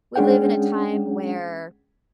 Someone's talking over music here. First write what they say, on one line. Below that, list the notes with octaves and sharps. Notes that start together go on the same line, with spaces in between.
we live in a time where,
G#3 C#4 D4 G#4 F#5 G5